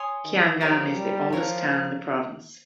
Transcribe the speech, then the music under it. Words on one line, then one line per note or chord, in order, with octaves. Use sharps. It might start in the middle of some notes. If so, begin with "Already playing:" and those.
Kiangan is the oldest town in the province.
Already playing: C#5 G#5 C6 D#6
D#3
F3 D#4 G4 A#4 C#5
G3
F3 F4 A#4 C#5